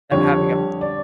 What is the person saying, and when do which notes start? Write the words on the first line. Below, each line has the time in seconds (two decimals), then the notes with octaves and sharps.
them having a
0.11 F2 D3 G3 C#5
0.81 D5